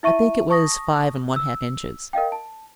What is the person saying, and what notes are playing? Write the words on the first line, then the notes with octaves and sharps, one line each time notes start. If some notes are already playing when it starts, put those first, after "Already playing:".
I think it was five and one-half inches.
E4 E5 C#6 D#7
A5 C#6 D#6 A#6
E6
A#4 D#5 F5 G5
A5